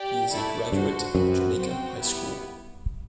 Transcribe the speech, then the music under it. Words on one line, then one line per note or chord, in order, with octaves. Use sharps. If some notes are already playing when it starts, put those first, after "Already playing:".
He is a graduate of Jamaica High School.
Already playing: G4 D5 G5
A3 E4 A4 D5
G2 D4 F#4 C5
F#2 C4 F#4 B4
C4 F#4 C5 G5
B3 E4 G4